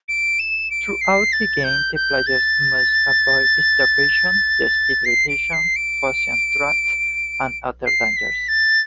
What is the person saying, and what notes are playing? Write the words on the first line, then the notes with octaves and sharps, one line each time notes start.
Throughout the game, the player must avoid starvation, dehydration, poison traps, and other dangers.
D7
E7
D7
C7
A6
G6
G6
A6
C7
D7
C7
D7
C7
B6
A6